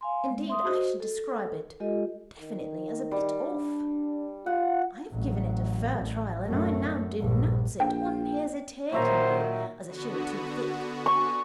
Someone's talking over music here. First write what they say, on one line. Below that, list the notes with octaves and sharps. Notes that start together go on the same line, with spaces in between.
Indeed, I should describe it definitely as a bit off. I have given it a fair trial, and I now denounce it unhesitatingly as a shade too thick.'
F5 G#5 C6
G#3
E5 C6 D#6
F#4 G#4 C5 D#5
A4
G#3 F4 G4 A4 D#5
D#3
G3
D4
F4 F#5
A1 F#3
A1
F#2 A3
A#1 G2
A#1 G5
A#2 D#3 F#3 C5 E5 A#5
D3 B3 F#4
C#6